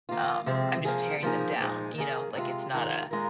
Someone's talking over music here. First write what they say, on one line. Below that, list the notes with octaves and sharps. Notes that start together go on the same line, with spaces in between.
Um, I'm just tearing them down," you know? Like, it's not a
D#3 A#3 F4
C3 F3 G#3 C4
F3 A#3 G#4
F3 A#3 D#4 G#4
A#2 F3 G#3 D#4 G#4
D#3 A#3 G#4
C3 G#3 F4
D#3 G#3 F4
A#2 G#3 F4 A#4